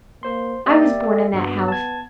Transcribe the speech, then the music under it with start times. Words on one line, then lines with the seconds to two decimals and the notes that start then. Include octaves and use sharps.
I was born in that house.
0.23 A#3 C5 C6
0.66 A#3 G4 D5 E5
1.03 A4
1.34 G2 B3 F#4
1.68 A5 G#6